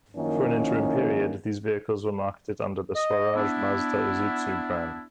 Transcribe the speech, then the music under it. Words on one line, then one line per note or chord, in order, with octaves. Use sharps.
For an interim period, these vehicles were marketed under the Swaraj Mazda Isuzu brand.
F#2 D#3 F3 A#3 C#4 E4
D#5
B3 D4 E4